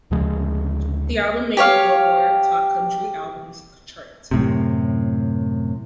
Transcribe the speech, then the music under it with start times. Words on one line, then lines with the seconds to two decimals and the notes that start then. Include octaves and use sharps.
The album made the "Billboard" Top Country Albums chart.
0.11 D2 C#3 F3 G#3
1.57 G4 C#5 F5
4.31 F#2 A2 C3